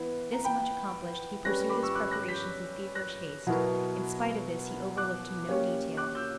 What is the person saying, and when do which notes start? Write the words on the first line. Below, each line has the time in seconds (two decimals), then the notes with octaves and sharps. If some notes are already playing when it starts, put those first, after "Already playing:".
This much accomplished, he pursued his preparations in feverish haste. In spite of this, he overlooked no detail.
Already playing: E3 B3 E4 B4
0.32 A#5
0.44 G5 B5
1.45 G3 C#4 G4 B4 F#6 A#6
1.69 B5 D6
1.83 C#6 E6
1.94 D6 F#6
2.11 F#6 A#6
2.28 G6 B6
2.95 F#6 A#6
3.47 B2 F#3 B3 E4 A#4
4.97 D6 F#6
5.47 A#3 C#4 G4 C#5
5.97 D6 F#6
6.15 E6 G6